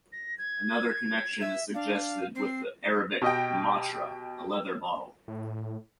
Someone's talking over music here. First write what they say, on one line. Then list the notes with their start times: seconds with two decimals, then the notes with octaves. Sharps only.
Another connection is suggested with the Arabic "matra", a leather bottle.
0.12 A#6
0.38 G#6
1.41 E5
1.74 D4 F5
2.35 C4 C7
3.22 B2 G4 D#5 G5
5.28 A2